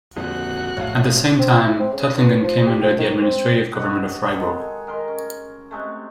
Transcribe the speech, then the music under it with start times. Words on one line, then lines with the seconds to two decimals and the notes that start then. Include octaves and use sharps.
At the same time, Tuttlingen came under the administrative government of Freiburg.
0.17 D#1 F2 A#2 D3 F#4 F#6
0.77 A#1 A2 C#5 F5
1.39 C4
1.64 E4
1.80 C4
1.93 C#3
2.18 B3
2.43 F3
2.67 G4
2.83 F3
2.98 D#3
3.22 C4
3.71 G4 D#5 F#5
4.02 F#3
4.30 D#3 G#3 A4
4.87 D#3 A#4 C6
5.08 C#4
5.71 C3 G#3 A3